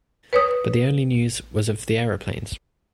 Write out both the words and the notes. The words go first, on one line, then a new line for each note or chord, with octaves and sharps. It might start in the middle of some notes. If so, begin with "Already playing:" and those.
But the only news was of the aeroplanes.
B4 C#5 D#6